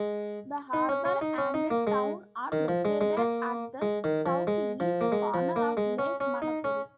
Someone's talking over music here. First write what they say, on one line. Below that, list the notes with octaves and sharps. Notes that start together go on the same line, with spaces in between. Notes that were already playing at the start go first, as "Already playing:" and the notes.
The harbour and town are located at the south-east corner of Lake Manapouri.
Already playing: G#3
D#4
C#4
C#4
D#4
C#4
D#4
A#3
G#3
D#3
F3
G#3
G#3
A#3
G#3
D#3
F3
G#3
F3
A#3
G#3
F3
A#3
G#3
C#4
C#4
D#4
C#4